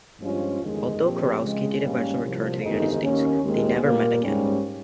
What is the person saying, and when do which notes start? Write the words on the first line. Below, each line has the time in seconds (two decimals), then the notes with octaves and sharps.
Although Kurowsky did eventually return to the United States, they never met again.
0.21 G2 F3 G#3 C#4 F4
0.61 G1 F2 D#3 G#3
1.01 A#1 A#2 F3 C4 G4
1.41 C#2 C#3 G#3
1.81 G#2 D#3 G3 A#3 C#4
2.21 C2 A#2 F3
2.62 G1 F2 D#3 G#3 D#4
3.02 D#2 D#3 A#3 C#4
3.42 D#2 D#3 G#3 C4
3.82 A#2 G3 A#3
4.22 G#2 G3 C#4